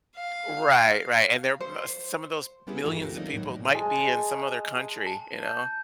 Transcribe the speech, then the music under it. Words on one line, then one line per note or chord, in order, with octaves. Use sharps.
Right, right, and there uh, some of those millions of people might be in some other country, you know,
F5
C5
G3 B3 C#4 E4 G4 G#4
G2 D#3 E3 A3 F4
C4 G4 A#4
F#3 A#3 D#4 D5 D#5
A2 F#3
G#3 A5
A5
G6